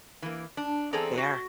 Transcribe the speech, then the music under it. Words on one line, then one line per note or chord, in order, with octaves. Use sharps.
They are.
E3 A#3
D4
E2 C4 G#4 A4 D5 A#5
F#4